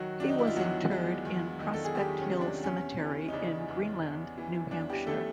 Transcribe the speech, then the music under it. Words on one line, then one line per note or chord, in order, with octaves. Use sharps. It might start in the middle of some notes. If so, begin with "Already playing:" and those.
He was interred in Prospect Hill Cemetery in Greenland, New Hampshire.
Already playing: D#3 F#3 F#4
D#3 D4
D#4
E4
F4
E2 F#3 F#4
G#3
E2
D#3
A4
G#4
D#3 G3 G4
C#4
C3
D4
E2 C#4
E3
D#4
C#3 D4
E2
E2
E3
E2 D4
G3 G4
E2 A3 A4